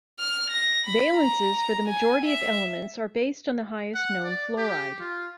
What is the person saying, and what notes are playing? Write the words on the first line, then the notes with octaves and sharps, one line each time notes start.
Valences for the majority of elements are based on the highest known fluoride.
F6
A#6
B5
A#5
A#5
G#5
E5
F#5
D5
G4
F4